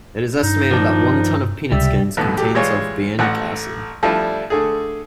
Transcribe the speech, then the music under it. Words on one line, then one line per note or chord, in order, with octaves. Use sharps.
It is estimated that one ton of peanut skins contains of behenic acid.
G2 D#4
D#3 F3 D4
C#2 C3 G3 E5
A#1 D#2 A2 B3
F#3 A3 G4
E3 G3 G#3 F4 C#5
A1 A2 A3 A4 F#5
F3 G3 A3 D4 E4 F4
D3 A3 G#4